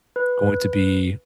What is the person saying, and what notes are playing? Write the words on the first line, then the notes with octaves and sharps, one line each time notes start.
going to be
B4